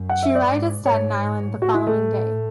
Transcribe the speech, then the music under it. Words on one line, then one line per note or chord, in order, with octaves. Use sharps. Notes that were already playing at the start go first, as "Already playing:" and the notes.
She arrived at Staten Island the following day.
Already playing: F#2
F#5
E5
D5
G#2
G#2 C#5
A2 F#4
E4
A3